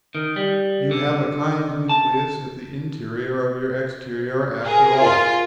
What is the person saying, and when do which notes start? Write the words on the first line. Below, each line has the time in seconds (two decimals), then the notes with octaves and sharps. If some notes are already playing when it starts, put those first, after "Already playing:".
You have a kind nucleus at the interior of your exterior after all.
0.15 D#3
0.36 G3
0.91 D3
1.89 A5
4.64 G#4 A#4
4.99 F4